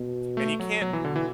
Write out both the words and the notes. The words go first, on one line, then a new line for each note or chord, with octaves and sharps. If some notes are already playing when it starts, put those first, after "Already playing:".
And you can't
Already playing: B2
A3
F#3
B2 F#3
E3
D3
E3